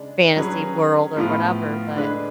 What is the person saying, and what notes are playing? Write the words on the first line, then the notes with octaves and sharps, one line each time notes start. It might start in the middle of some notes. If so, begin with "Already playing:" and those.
fantasy world or whatever, but
Already playing: C#3 G#3 D4
F#3 C#4 G#4 B4
A2 F3 B3 F4
D3 G#3 D4 G#4 B4